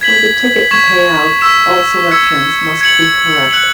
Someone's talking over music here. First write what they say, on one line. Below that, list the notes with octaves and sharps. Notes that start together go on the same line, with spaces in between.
For the ticket to pay out, all selections must be correct.
G#6 B6 F#7
C#6 G#6 B6 E7
C#6 E6 B6 E7
E6 G#6 C#7
G#6 C#7 F#7
F#6 C#7 F#7